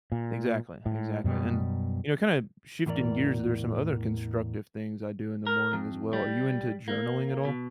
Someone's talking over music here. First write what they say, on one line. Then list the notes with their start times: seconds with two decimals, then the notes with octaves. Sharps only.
Exactly, exactly, and, you know, kinda shifting gears, there are some other constructive things I do in the morning as well. Are you into journaling at all?
0.12 A#2
0.86 A2
1.24 F#2 B2 G3
2.86 E2 A2 E3 A#4 D5
5.47 A#4
5.73 F2
6.13 G3
6.88 A#3
7.45 B2